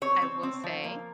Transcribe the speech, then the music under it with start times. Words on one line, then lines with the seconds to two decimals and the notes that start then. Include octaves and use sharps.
I will say
0.02 C4 C#5
0.22 C4
0.43 C4
0.64 F3
0.84 A#3